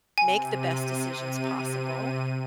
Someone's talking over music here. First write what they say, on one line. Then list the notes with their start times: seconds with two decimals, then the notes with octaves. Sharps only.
make the best decisions possible,
0.18 C3 G#5 D#7